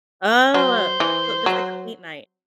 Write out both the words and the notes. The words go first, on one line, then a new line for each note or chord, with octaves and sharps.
Oh. So just, like, a paint night.
F#3 C5
E3
F#3